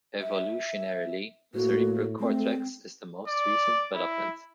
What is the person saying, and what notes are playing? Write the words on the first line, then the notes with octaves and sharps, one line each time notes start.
Evolutionarily, the cerebral cortex is the most recent development.
E5
A2 A3 A#3 F#4
G#3 A3 C4
D5
E4